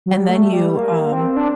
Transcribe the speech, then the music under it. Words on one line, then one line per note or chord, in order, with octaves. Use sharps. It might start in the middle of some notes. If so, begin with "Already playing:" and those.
and then you, um,
F#3
G3
A3
G3
A#3
C4
D4